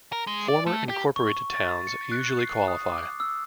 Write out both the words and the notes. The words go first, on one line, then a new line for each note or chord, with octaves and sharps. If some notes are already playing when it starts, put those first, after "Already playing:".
Former incorporated towns usually qualify.
A#4
G#3
D5
A3
G4
C#6
A6
C#7
F#6
C7
D#6
D6
E6